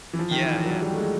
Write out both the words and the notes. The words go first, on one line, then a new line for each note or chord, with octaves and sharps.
Yeah, yeah.
E3
F3
D#3
E3
F3
F#3
G3
A3
G#3